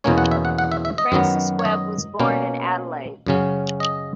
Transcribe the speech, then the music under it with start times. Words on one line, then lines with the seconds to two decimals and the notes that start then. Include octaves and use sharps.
Francis Webb was born in Adelaide.
0.04 E2 B2 A#3 C#4 C#5
0.18 F#5
0.31 E5
0.45 F#5
0.58 F#5
0.72 E5
0.85 E5
0.98 D#5
1.12 F#2 D#3 F#3 B3
1.59 C#5
1.65 D#5
2.20 B2 A#3 C#4
3.27 F#2 C#3 F#3 C#4
3.80 D#5